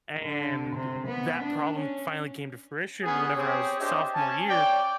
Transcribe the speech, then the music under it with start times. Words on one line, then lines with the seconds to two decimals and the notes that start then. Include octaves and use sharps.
And that problem finally came to fruition whenever I was sophomore year,
0.23 D3
0.76 C3
1.07 B3
1.43 D4
1.76 C#4
3.03 B3 C#4 G#4
3.36 C4 G4 G#4 C#5
3.79 D4 G4 C5 D#5 E5
4.13 C#4 G#5 A5
4.48 C#5 D5 G5